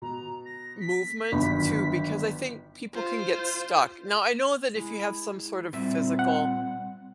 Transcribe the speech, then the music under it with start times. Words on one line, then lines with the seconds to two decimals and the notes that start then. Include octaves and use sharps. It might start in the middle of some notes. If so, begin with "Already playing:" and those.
movement too, because I think people can get stuck, now, I know that if you have some sort of physical
0.02 B2 A#5
0.45 A#6
0.80 B6
1.32 G1 D#3 F#3 B3 D4 B5
2.94 F4 C5
4.76 G#3 E4
5.73 A#2 G3 C4 E5
6.19 F#5